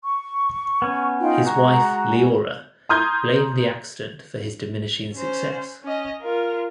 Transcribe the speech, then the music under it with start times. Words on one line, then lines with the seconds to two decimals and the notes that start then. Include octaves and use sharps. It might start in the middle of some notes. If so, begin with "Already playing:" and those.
His wife, Leora, blamed the accident for his diminishing success.
0.04 C#6
0.82 B3 C#4
1.20 D#4 F4 G5
1.45 G#3 F#4 A#5
2.89 A#5 C6 D#6 F6 G6 G#6
5.14 C#4 C5
5.83 C#4 D#5
6.21 F4 A#4